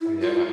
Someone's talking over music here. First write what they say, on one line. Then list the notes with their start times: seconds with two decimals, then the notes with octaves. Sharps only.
Oh yeah.
0.01 E4
0.21 F4